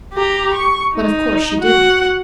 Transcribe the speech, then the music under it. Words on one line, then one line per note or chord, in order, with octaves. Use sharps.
But of course she didn't.
G4 A#5
C#6
D#4
F#4 F#5